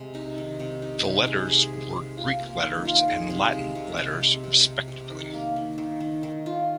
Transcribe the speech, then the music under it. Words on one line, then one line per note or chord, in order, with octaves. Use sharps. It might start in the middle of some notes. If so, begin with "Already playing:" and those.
The letters were Greek letters and Latin letters, respectively.
Already playing: C3 G#3
D#4
D#3
C3
D#4
C3
G#3
G#4
G#4
G#4
F4
A#3
D#3
F4
G#4
C3
G#3
C3
C3
C4
C3
C3
C3
D#3
A#3
D#3
D#3
D#3
D#3
F4